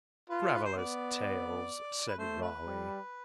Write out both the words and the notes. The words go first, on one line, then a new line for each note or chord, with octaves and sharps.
"Travellers' tales," said Raleigh.
F4 B4
A4
B4
C5
B3 D5
B4
A3 C5
B4
G3